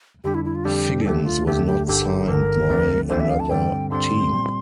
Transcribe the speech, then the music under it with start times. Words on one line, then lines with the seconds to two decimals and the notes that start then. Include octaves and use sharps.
Figgins was not signed by another team.
0.24 F2 D3 G3 D4 G4
0.35 E4
0.45 E4
0.55 F4
0.65 F2 D3 G3 D4 G4
1.02 A4
1.05 D2 D3 A3 G4
1.26 F4
1.47 D2 D3 A3 G4
1.67 G4
1.87 G1 G2 D3 G4
2.28 G1 G2 D3 A#4
2.69 D2 D3 F3 A3 C4
3.09 D2 D3 F3 A3 C4 C5
3.20 E5
3.30 F5
3.40 A5
3.50 G2 D3 G3 C4 G5
3.91 G2 D3 G3 C4 C6
4.31 A#2 G3 C4